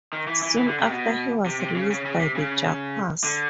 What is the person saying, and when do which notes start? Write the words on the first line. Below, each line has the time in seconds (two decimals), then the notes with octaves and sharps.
Soon after he was released by the Jaguars.
0.13 D#3
0.27 E3
0.43 E3
0.57 E3
0.68 D3
0.79 C3
0.91 B2
1.45 C3
1.60 C3
1.76 C#3
1.91 C#3
2.05 C#3
2.20 C3
2.35 C#3
3.24 D3